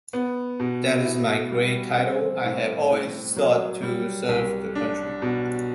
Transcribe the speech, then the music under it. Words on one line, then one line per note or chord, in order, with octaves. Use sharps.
That is my great title: I have always sought to serve the country.
B3
B2
E4
G3
C4
A2
A2
F#3
G3
C2
D4
B2